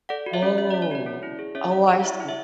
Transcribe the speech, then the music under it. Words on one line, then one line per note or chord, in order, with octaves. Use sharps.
Oh. Oh, I see.
A4 D5 F#5
F#4
C#5 E5
C#4
C#4 E5
C#4 D5
C#5
F#4 D5
C#4
E4
G#4
C#4 C#5 E5
C#4 D5 F#5
G#4 D5
F#5
E4 C#5 E5
E4
C#5 E5